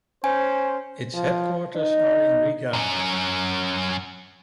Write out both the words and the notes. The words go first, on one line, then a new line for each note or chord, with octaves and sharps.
Its headquarters are in Riga.
C#4 C5 G#5
F3
D#4
F#2 C#4